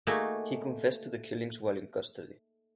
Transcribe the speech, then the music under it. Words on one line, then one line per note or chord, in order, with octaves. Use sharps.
He confessed to the killings while in custody.
A3 A#3 D#4 F#4 G#4 A4